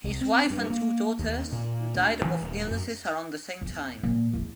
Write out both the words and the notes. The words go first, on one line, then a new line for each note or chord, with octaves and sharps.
His wife and two daughters died of illnesses around the same time.
C2
C4
G2
A#3
D#2
A#2
D2
E3
D#1
F#2
E2
A#2
E2 E3